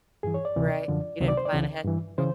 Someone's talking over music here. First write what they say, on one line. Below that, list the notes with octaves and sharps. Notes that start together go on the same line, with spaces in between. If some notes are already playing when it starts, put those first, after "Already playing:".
Right, you didn't plan ahead? You
G2 E3 G#4
C#5
D5
D2 C3 E3
F#2 D3 F3
C#2 C3 D#3 F#3
D5
C5
D5
C#2 C#3 E3
G2 E3
C#3 E3 C5